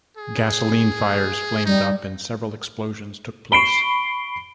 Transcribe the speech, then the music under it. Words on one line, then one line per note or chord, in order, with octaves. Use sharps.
Gasoline fires flamed up and several explosions took place.
G#4
G3 D#4
B5 C#6 C7 D7 G7